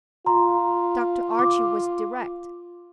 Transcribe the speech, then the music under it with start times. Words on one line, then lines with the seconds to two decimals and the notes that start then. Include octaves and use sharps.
Dr. Archie was direct.
0.26 F4 A#5 C6
1.39 D6